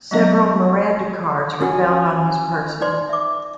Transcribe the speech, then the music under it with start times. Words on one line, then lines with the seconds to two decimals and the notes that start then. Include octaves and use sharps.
Several Miranda cards were found on his person.
0.11 F#3 G#3 B3 D4 D#5 E5
1.61 C#4 F#4 G#5
2.81 D#4 B4 D5 C6
3.09 E5 D6